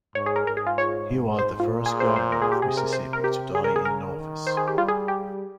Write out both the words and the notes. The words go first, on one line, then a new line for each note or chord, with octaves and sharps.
He was the first Governor of Mississippi to die in office.
G#2 C#5
G#4
A#4
G#2 A#4
G#4
F4
C#5
G#2 C5
F4
A#2
G#4
C5
C5
A#4
G#4
G4
C3 G#4
A#4
C5
A#4
G4
C#3 G#4
A#4
G#4
A#4
D#3
C5
G#4
G4
G3 F4
G#4
G4